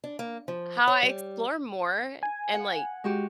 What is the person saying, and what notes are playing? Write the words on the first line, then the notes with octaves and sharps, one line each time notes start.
how I explore more, and, like
D4
A#3
F3
C#5
G3
G#5
F#5
G#3 F#4 G4